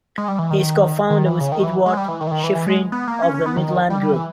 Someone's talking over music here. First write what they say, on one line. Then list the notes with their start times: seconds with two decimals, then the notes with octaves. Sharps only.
He is co-founder with Eduard Shifrin of the Midland Group.
0.18 G#3
0.28 G3
0.39 E3
0.51 D#3
1.10 D#3
1.26 E3
1.40 C#3
1.52 D#3
1.64 E3
1.86 G#3
1.97 G3
2.08 E3
2.21 D#3
2.27 E3
2.31 D#3
2.44 E3
2.55 E3
2.66 G#3
2.92 B3
3.08 A#3
3.22 C#4
3.34 C#4
3.46 B3
3.57 D#3
3.69 D#3
3.90 G3
4.02 G3
4.13 E3